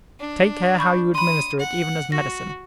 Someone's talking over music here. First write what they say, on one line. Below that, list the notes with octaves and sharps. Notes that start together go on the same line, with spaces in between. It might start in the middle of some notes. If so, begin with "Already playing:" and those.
Take care how you administer it even as medicine.
D4
B5 C#6 G6
B5 C6 D#6
F#5
F#4 A#6